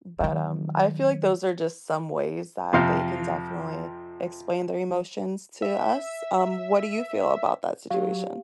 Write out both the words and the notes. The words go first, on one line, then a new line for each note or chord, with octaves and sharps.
But, um, I feel like those are just some ways that they can definitely explain their emotions to us. Um, what do you feel about that situation?
D#3 F#3
F2 C3 F3 F5 G5
E5
F#3 G4 F5